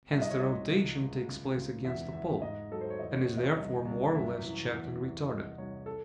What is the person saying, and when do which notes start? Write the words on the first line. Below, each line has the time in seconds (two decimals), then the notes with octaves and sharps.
Hence the rotation takes place against a pull, and is therefore more or less checked and retarded.
0.12 C2 E5
0.22 D#5
0.30 C#5
0.40 C2 D#5
0.70 C#2
0.98 C#2
1.27 C#2
1.56 C#2
1.84 E2 E5
2.13 E2 E5
2.42 G#2 D#5
2.71 F#3 A4
2.81 C5
2.90 C#5
2.99 E2 D#5
3.14 C#5
3.28 E2
3.37 D#5
3.43 C#5
3.57 C2 D#5
3.85 C2
4.14 F#2 E5
4.43 E3
4.72 E2
5.01 E2
5.29 C2 D#5
5.58 C2 C#5
5.86 A4